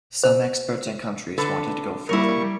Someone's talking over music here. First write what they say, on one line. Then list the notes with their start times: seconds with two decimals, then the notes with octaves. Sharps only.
Some experts and countries wanted to go further.
0.24 C5
1.38 D3 A4 B4
2.09 G3 A#3 E4 A#4 C#6